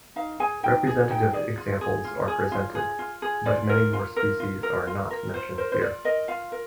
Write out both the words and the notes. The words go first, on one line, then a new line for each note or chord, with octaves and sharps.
Representative examples are presented, but many more species are not mentioned here.
D#4 F5
G#4 G#5
D#4 G5
G#4
D#4 G5
G#4 D5
F4
G#4
F4
G#4
F4
G#4
F4
G#4
F4 D5
A#4
F4
A#4
F4
A#4
F4
A#4
F4 C5
A#4 C5
C5
F4 D5
A#4 D#5
F4 F5
A#4